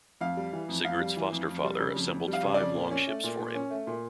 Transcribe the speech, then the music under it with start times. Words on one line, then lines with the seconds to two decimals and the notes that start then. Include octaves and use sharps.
Sigurd's foster-father assembled five longships for him.
0.21 F2 F5
0.37 G3
0.53 E3
0.69 F2
0.84 F2 F5
1.00 G3
1.16 E3
1.32 F2
1.48 F2
1.64 G3
1.80 C#3
1.96 F2
2.11 F2
2.28 G3
2.33 F5
2.43 C#3
2.54 D5
2.60 F2
2.75 A#2
2.91 C#4
3.07 A3
3.23 A#2
3.39 A#2
3.55 C#4
3.70 A3
3.87 A#2